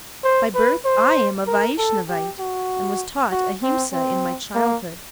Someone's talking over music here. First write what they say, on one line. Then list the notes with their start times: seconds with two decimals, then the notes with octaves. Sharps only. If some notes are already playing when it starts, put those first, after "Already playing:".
By birth I am a Vaishnavite, and was taught Ahimsa in my childhood.
0.24 C5
0.55 B4
0.85 C5
1.47 A#4
1.78 A4
2.09 G4
2.40 F#4
3.32 F#4
3.63 C4
3.93 C4
4.55 A#3